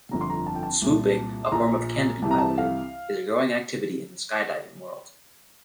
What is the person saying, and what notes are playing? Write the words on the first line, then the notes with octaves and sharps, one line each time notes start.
"Swooping," a form of canopy piloting, is a growing activity in the skydiving world.
G1 F2 D3 A#5
C6
A#5
A5
G5
A5
C2 A#2
C6
A#1 A#2 A#5
C2 C3 E3 A5
A#5
A5
F5